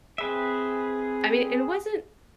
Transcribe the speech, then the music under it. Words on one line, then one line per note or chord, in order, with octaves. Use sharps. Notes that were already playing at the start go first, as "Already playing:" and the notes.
I mean, it wasn't
C4 G#4 B4 E5